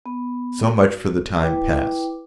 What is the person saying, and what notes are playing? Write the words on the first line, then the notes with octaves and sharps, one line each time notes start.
So much for the time past.
B3
F#4
E4 B4 G5 D6